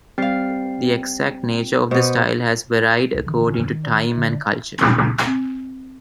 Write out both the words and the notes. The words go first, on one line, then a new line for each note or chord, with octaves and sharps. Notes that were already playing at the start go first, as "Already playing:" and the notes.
The exact nature of the style has varied according to time and culture.
G3 C4 F5 C7
B2 B3 C5
C2
G#1 C#2 D3 E3
D1 F2 D3 E3
D#3
D3
C4